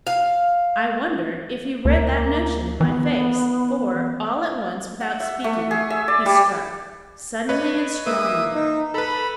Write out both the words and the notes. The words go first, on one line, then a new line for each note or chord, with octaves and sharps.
I wonder if he read that notion in my face; for, all at once, without speaking, he struck suddenly and strongly.
F5
D2 A#3
E3 B3
F#5
E5
A3
G#4
E5
D5
G3
B4 C#5 D#5
A#3 B4 E5 D#6
D#4
A4 B4 B5